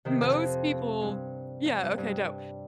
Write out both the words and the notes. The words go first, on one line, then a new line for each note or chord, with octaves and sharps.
most people yeah, okay, dope
C3 D#3
F2
G2
F2
G2
G2